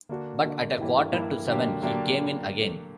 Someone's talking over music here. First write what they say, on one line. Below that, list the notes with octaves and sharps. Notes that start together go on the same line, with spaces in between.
But at a quarter to seven he came in again.
D3 A#3 D4 F#4
D3 A#3 D4 F#4
G2 E3 A#3 E4 G4
G2 E3 A#3 E4 G4
D3 F#3 A#3 D4 G4
D3 F#3 A#3 D4 G4